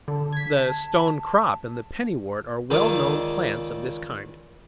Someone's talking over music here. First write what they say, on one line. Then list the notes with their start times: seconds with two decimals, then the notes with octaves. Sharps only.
The Stone-crop and the Penny-wort are well-known plants of this kind.
0.08 D3 A5
0.33 G#6 B6
2.70 C#2 D#3 D4 G#4 F5 A5